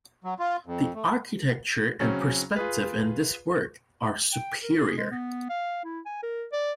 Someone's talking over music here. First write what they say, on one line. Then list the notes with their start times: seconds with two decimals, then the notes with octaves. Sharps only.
The architecture and perspective in this work are superior.
0.24 F#3
0.39 F4
0.66 F2
0.95 A3
2.00 C#3 F#3 C4 C#4
2.56 F4 G#4 B4
4.33 G5
4.63 A#4
4.80 G#4
4.97 G#3
5.11 B3
5.50 F5
5.85 E4
6.06 G#5
6.23 A#4
6.53 D5